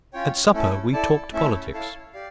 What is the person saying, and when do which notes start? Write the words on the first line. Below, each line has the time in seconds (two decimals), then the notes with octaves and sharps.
At supper we talked politics.
0.13 C#4 F4 C#5 G5
0.53 A3 C#4 E4 A4
0.93 E4 A4 D5 A5
1.33 A3 C#4 E4 A4 E5
1.73 E4 A4 C#5 F5 A5
2.13 G4 D5 F5